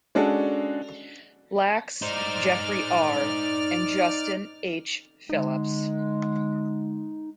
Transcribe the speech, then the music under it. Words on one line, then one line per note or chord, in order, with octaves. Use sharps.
Lax, Jeffrey R., and Justin H. Phillips.
G#3 C#4 D4 F#4 A4
D#4 C5 D5 F6
D3 G#3 D#4